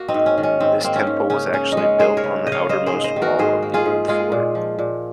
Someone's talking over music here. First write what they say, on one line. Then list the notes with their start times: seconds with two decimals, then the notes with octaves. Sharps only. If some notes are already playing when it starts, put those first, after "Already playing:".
This temple was actually built on the outermost wall of the old fort.
Already playing: A#3 F#4
0.08 C4 D#4
0.14 G#2
0.26 C#4
0.38 D#3
0.43 C#4
0.60 G#2 C4
0.84 A#3 C4
0.96 C#4
1.07 G#2
1.30 C#3 C#4
1.53 C#3 C#4
1.72 D#4
1.77 G#3 C#4
1.99 G#3 G#4 C5
2.17 A#4 C#5
2.24 C#3
2.47 C#3 D#5
2.52 C#5 F5
2.69 A#3 C5 D#5
2.86 G#4 C5
2.93 G#2
3.04 C5 D#5
3.16 D#3
3.22 F#4 A#4
3.39 G#2 G#4 C5
3.62 A#3
3.74 F4 G#4
3.86 G#2
4.08 G#3 F4 G#4
4.32 A#2
4.55 F3
4.79 A#2